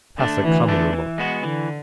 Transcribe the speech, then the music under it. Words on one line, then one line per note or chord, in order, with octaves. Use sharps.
Pass a common remark.
D3 A3 D4
D2 E3
D3 A3 D4
E3
G#3 B3 F#4
D3 E3